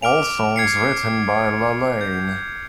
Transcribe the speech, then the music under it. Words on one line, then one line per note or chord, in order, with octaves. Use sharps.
All songs written by Lalaine.
D6 F6 D7 F7
G#6 C7 C#7
G6